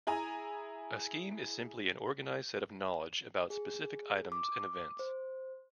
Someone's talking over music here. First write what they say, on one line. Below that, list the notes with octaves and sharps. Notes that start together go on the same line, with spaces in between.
A scheme is simply an organized set of knowledge about specific items and events.
E4 G#4 G#5 A#5
G#4
D6
C5